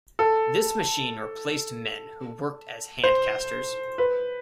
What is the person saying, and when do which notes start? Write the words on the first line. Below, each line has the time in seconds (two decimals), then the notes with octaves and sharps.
This machine replaced men who worked as handcasters.
0.19 A4
3.04 C5
3.98 B4